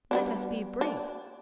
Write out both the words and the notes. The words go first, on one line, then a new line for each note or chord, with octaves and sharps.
Let us be brief.
G3 B3 D4
D4